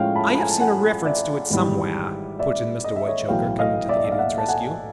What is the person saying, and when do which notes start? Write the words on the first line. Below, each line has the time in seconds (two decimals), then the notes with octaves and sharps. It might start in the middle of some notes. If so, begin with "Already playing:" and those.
"I have seen a reference to it somewhere," put in Mr. Whitechoker, coming to the Idiot's rescue.
Already playing: A2 F3 G#3 C#4 F5 G5
0.15 A5 B5
0.34 B5
0.38 G#5 A#5
0.50 A5
0.60 F#5 G#5
1.05 D5 E5
1.50 G#1 G#2 E3 G3
2.39 D5 E5
2.84 D#5
2.96 E5
3.07 C#5 D#5
3.29 B1 A2 E3 F5 G5
3.59 D#5 F5
3.88 D5 E5
3.97 D#5
4.04 E5
4.12 F5
4.19 E5 F#5
4.38 A5
4.49 F#5 G#5